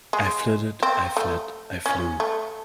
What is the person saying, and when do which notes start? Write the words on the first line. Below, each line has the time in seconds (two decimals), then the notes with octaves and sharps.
I flitted, I fled, I flew.
0.13 G#3
0.83 C4
1.17 A3
1.86 C#4
2.20 A3